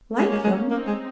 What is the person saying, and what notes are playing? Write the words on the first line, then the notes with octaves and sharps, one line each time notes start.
Like them!
G#3 A#3 C#4
G#3
G#3
A#3 C4 D#4
G#3